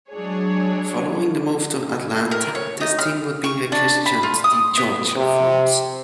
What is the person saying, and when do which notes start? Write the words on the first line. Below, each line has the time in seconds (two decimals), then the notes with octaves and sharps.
Following the move to Atlanta, this team would be rechristened the Georgia Force.
0.11 F#3 G#3 D4 G#4 C#5
2.31 A#4
2.55 C#5
2.81 D#4
2.99 F6
3.44 C#6
3.72 D4
4.06 B5
4.23 F4
4.44 D#6
4.77 B3
5.17 C3